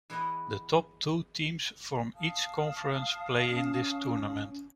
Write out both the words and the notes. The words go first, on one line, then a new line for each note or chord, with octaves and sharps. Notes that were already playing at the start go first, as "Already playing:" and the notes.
The top two teams from each Conference play in this tournament.
E3 G#3 B3 E4 D#5 F#5
F5 A5 D#6
C#4